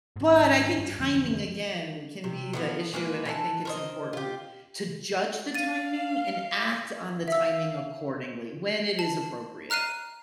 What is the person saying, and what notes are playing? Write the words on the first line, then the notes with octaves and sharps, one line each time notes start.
But I think timing, again, can be the issue, and I think it's important to judge the timing and act on the timing accordingly, when it is appropriate.
G#2 D#3
G2
F2 D3 E3
C3
D3 F3 B3
G#3 A#3 B4
E3 E5 A5
A#4 C5 D#5
F4 G4
F5 A6 D#7
E5 F5 E6
A5
A#5 F6 F#6 C7 D#7